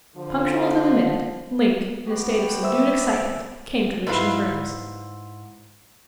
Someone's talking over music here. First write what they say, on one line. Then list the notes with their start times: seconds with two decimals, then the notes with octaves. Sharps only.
Punctual to the minute, Link, in a state of subdued excitement, came to Lucian's rooms.
0.16 D3 F3
2.07 B3 F#4 G4
2.62 C5 E5 E6
4.07 G#2 E4 B4 F5